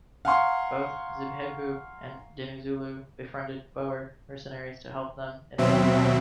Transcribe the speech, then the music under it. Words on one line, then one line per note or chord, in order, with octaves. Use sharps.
Both Zibhebhu and Dinuzulu befriended Boer mercenaries to help them in their claims.
F5 F#5 G#5 A#5 C6 C#6
D#2 B2 F#3 C4 E5